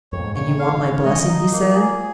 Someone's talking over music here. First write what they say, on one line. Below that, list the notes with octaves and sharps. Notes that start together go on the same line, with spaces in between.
"And you want my blessing?" he said.
F2 C#5
A#2
G#2
A#2 C#5
D#3
F5
C#5
G#3 D#5
F3
D#3
D#4
F3
F3 A#3
G#4